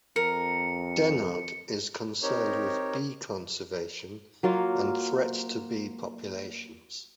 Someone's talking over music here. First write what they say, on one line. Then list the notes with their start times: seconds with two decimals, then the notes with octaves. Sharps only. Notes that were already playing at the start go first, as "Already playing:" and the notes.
Dennard is concerned with bee conservation and threats to bee populations.
0.16 F2 A#4 C#7
2.22 C4 D#4 G4 A#4 C#5
4.43 F#3 A#3 F4